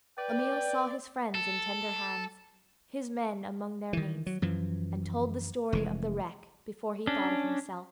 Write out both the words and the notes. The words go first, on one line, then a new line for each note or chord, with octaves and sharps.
Emil saw his friends in tender hands, his men among their mates, and told the story of the wreck before he thought of himself.
B4 D5 G5
A4
D#3 E3
F#3
F#2 E3 F3
F1 E3 G#3
C#4 D4